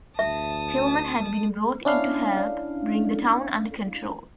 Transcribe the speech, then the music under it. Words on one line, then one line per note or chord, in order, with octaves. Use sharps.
Tilghman had been brought in to help bring the town under control.
D2 E5 A5 D#6
C#4 D4 E4 F5